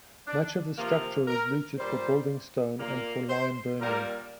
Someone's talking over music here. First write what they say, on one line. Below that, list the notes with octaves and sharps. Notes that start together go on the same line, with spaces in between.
Much of the structure was looted for building stone and for lime burning.
D4
C3 F3 A#3 F4
A#4
A#2 G3 A#3 C5
A#2 A#3
C5
A#2 G3 A#3 A#4